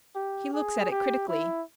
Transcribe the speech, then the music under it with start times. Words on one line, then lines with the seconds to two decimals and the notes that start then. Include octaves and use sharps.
He looks at it critically.
0.16 G4
0.53 G#4
0.91 G4
1.28 E4